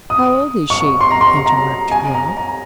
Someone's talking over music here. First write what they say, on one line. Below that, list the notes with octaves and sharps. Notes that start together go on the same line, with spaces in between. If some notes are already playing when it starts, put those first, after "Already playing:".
"How old is she?" interrupted Rob.
D#6
C#6
C6
A#5
C6
A#5
G#5
A#5
A#5